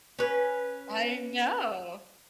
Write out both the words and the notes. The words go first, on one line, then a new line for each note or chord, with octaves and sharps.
I know!
C#4 B4